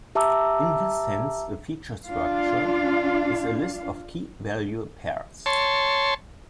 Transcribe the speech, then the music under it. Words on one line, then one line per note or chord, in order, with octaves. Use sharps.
In this sense a feature structure is a list of key-value pairs.
G4 E5 A5 A#5 D6 E6
D4 F4 F5
C#5 A5 C6